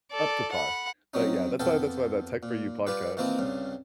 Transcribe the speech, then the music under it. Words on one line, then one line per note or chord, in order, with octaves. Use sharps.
up to par, but, yeah, that's why that's why that Tech for You podcast
A4 D5
F#5 B5
F#3 C4 C#4 D#4
F2 B3 A4 F5 G5
A#2
G3 F4 G4 B4
D#3 E3 A#3 C4 E4 F4
C2 G2 C#3